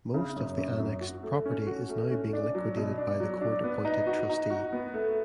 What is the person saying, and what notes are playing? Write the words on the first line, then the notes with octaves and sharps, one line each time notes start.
Most of the annexed property is now being liquidated by the court appointed trustee.
C#3
F#2
F#2
F#2
F#4
A3
C#4
F#4
A3
C#4
D4
F#3
B2
D4
F#3
D4
B3
D#4
F#4
D#4
F#4
B3
A3